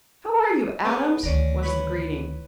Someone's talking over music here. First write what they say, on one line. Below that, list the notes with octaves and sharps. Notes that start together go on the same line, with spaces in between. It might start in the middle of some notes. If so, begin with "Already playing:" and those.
"How are you, Adams!" was the greeting.
C#3 B3
D2 D#3 C#4 D4 A#5
E3 C#5 B5